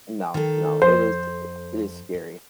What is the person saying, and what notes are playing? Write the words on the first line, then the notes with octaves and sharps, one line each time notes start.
No, no, it is it is scary.
D#3 A4
F2 C5